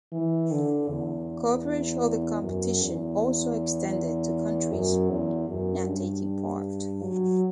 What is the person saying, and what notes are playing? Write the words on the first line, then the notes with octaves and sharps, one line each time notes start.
Coverage of the competition also extended to countries not taking part.
E3
D3
E2
F#2
E2
F#2
E2
F#2
G2
F#3